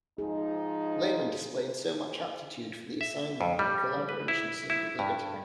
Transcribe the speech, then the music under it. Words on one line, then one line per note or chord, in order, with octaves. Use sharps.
Layman displayed so much aptitude for the assignment that a collaboration seemed obligatory.
G#2 F3 D#4 G#4
E5
F2
G3
B4
E4
E4
G2